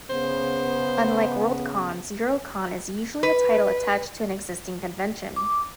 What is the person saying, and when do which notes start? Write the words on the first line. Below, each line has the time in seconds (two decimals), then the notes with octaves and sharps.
Unlike Worldcons, Eurocon is usually a title attached to an existing convention.
0.10 C#3 B3 C5
3.23 B4
5.36 D6